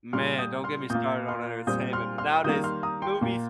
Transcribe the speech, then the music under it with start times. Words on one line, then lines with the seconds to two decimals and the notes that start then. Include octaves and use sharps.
Man, don't get me started on entertainment. N Nowadays, movies,
0.13 A#2 G3 A#3 C6 F6
0.39 D#6 G6
0.64 C6 F6
0.90 A#2 A#3 D#6 G6
1.28 C6 F6
1.67 A#2 G3 C4 D#6 G6
1.93 C6 F6
2.18 C6 F6
2.44 D#3 G3 A#3 D#6 G6
2.64 C6 F6
2.83 A#5 D#6
3.02 G5 C6
3.21 A#2 A#3